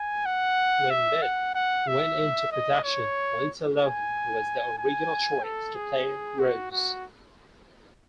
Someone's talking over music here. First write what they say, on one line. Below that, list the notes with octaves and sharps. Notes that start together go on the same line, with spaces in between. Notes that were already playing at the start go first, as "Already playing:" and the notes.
When "Bette" went into production, Lindsay Lohan was the original choice to play Rose.
Already playing: G#5
F#5
E5
F#5
F#5
E5
D#5
C#5
G#5
G#5
A4
G#4
F#4
F#4